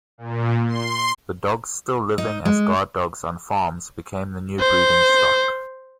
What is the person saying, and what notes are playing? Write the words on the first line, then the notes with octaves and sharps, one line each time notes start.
The dogs still living as guard dogs on farms became the new breeding stock.
A#2
C6
D#4
G#3
C5